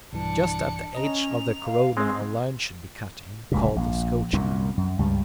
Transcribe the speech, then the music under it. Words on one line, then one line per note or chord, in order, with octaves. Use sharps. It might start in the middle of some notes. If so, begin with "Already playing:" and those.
Just at the edge of the corona a line should be cut in, called the scotia.
B1 G2 E3 D4 C#7
C#4 D#5 A#5 F7
F5
G#3 C4 G#4
F1 C#2 A#2
A#1
C2 F#2 A#2
F#2
C#2 G2 G3